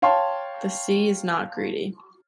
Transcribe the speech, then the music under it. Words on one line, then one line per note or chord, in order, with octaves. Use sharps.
The sea is not greedy.
C#5 F5 G5 A5 C6